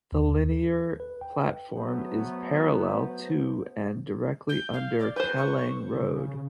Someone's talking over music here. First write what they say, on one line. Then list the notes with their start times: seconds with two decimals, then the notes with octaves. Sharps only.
The linear platform is parallel to and directly under Kallang Road.
0.12 D#2
0.52 A4
1.00 B4
1.21 G5
1.75 F#3 A3 B3 C5
4.49 G6
4.73 F5
4.99 D5
5.16 B4 C5 G6
5.37 C#6
5.96 C#3